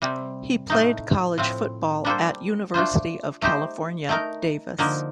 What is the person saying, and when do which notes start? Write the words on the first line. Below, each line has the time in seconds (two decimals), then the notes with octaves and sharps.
He played college football at University of California, Davis.
0.02 C3 G3 C4
0.70 A2 A3 D#4
1.38 A2 F3 C4
2.05 G3 A#3 D4 A4 C5
2.74 A3 D4 F4 C5
3.42 A3 D#4 G4 C5
4.09 A3 D#4 A#4
4.78 D3 F3 A#3 D#4